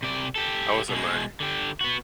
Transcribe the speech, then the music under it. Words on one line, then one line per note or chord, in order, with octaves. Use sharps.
I was at my
C3 D5
G4 A4
B2 G#3
D3 G4
B3 F#4